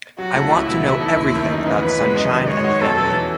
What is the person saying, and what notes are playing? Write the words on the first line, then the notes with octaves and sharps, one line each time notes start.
I want to know everything about Sunshine and the family.
F#3 F#4
A3 E4 A4
C#2 E4
B2 F#3
E3 E4
B3 D#4 A4
D#2
D#3 A3
F#2 D#4
C#3 E3 B3
E3 B4
G#3 B3
F#2 D#5
D#3 F#3
G#3 C#5
D#4 F#4
E2 A4
B2 F#3 C#4
E3